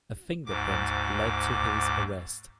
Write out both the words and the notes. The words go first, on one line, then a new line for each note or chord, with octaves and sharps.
A fingerprint led to his arrest.
D2 G#2 D6